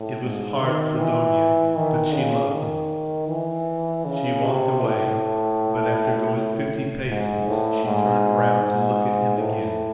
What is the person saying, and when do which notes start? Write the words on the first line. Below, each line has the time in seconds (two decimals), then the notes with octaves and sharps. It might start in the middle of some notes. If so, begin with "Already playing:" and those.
It was hard for Dounia, but she loved him. She walked away, but after going fifty paces she turned round to look at him again.
Already playing: A2
0.22 G#2
0.62 D#3
0.99 E3
1.76 D#3
2.14 C#3
2.52 D#3
3.28 E3
4.05 C#3
4.43 C3
4.81 A2
7.10 G#2
7.48 A2
7.86 G#2
8.62 G#2
9.39 A2